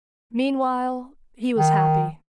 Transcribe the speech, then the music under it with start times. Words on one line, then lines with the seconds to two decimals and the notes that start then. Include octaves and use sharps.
Meanwhile he was happy.
1.58 D#3